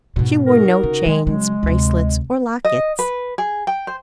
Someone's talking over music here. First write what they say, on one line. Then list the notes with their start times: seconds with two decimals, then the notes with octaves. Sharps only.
She wore no chains, bracelets or lockets.
0.16 G#2 B2
0.46 D#4 F#4 A#4
0.84 C#3
1.06 D#3 F#3 G#3
1.27 C#3 F#3 G#3
1.63 D2 C3
2.65 D#5
2.99 B4
3.38 G#4
3.67 G5
3.87 C5